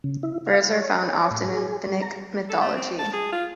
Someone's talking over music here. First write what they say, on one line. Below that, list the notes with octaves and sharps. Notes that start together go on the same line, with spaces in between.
Birds are found often in Finnic mythology.
C#3
E4
F5
C#5
C#5
A2
G#4
G3
A#5
A4
A3
C4
A5
G#4
F4